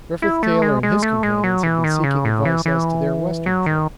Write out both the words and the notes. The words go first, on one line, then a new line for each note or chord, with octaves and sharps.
Griffith Taylor and his companions have been seeking advice as to their Western trip.
E4
A3
G#3
G#3
A3
G#3
F#3
E3
D#3
C#3
A2
E3
E3
F#3
D#3